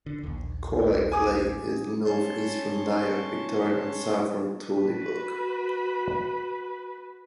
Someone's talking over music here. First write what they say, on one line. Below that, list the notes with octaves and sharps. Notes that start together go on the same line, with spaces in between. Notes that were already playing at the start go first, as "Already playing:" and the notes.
Koraleigh is northeast from Nyah, Victoria and south from Tooleybuc.
D3
A#1 D#2
G#5 D6 D#6
C#4 C#5 A5 C6
F#4 B4